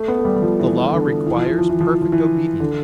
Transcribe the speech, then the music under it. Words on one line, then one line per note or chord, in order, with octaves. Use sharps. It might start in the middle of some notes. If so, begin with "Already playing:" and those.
The Law requires perfect obedience.
Already playing: A3
B3
A3
G3
G3
F3
E3
D3
E3
F3
E3
F3
E3
F3
E3
F3
E3
D3